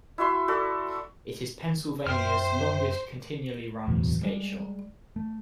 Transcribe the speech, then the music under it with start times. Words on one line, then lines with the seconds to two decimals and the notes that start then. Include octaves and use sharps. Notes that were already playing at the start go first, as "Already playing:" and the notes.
It is Pennsylvania's longest continually-run skate shop.
0.18 E4 F#4 E5 C6
0.48 F#4 A4 D5
2.07 F#2 C5 E5 G5 F6
3.88 D1 E2 B2 F#3
4.22 G3 G#3
5.16 A3